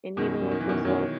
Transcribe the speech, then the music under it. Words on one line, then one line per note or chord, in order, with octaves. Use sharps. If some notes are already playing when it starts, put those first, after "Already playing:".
and even with this whole
F#2 B2 D#3
F#2
D#3
F#2 E3
B2 D#3
F#2 D#3 F#3